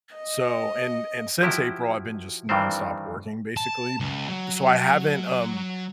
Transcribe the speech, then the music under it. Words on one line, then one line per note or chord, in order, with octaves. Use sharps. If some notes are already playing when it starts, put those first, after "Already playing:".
so and and since April, I've been just nonstop working, basically, b b so, I haven't um,
D#5
F3 F#3 E4 G4
G2 D#3 E3 G3 C4 C5
A5
C#2
F#3